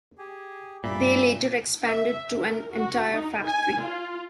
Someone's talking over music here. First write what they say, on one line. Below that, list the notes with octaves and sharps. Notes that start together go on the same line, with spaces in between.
They later expanded to an entire factory.
G4 G#4
G2 A#2 D5 E5 B5
E5
A#4
F#4
D#4
G#5
F4